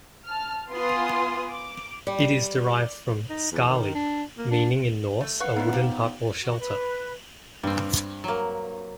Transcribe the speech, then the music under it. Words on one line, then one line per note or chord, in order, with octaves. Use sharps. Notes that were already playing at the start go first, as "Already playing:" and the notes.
It is derived from "skali", meaning in Norse a wooden hut or shelter.
A5 F6
B3 F4 B4 G#5 C6 D#6
D6
G3
D#4
E2
D#3
D4
A#3
D4
A3
B4 F5 F#5 C#6
D3 B3 D#4 E4
F3 G4
F#4
B4
G2 G3 C4
F#3 A#3